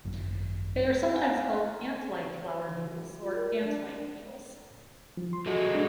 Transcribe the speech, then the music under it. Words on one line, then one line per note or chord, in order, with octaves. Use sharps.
They are sometimes called ant-like flower beetles or ant-like beetles.
G#1 F#2
F5 F#5 G#5 A#5
F4
A#4
D4
F3
C6
F#3 F#4 G#4 A4 D#5
G#3 D4